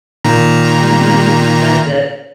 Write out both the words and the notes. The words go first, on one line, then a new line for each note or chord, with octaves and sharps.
Mhm, that's it.
A#2 D#3 A#5